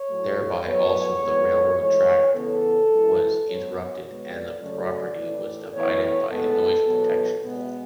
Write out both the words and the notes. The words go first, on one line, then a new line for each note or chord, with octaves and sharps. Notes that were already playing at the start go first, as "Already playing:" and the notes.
Thereby, also the railroad track was interrupted and the property was divided by a noise protection wall.
Already playing: C#5
A2 F#3 A3
A2 F#3 B3 C#5
A2 G#3 B3
A2 E3 G#3 C#5
E2 C#3 E3 B3 A4
F#2 E3 G#3
G#2 F#3 B3 C#5
B2 G#3 B3 C#5
D5
F#2 C#3 F#3 A3 D5
A2 E3 A3
A2 E3 B3 C#5
C#5
A2 G#3 B3 A4
E2 B2 F#3 B3
B2 G#3 B3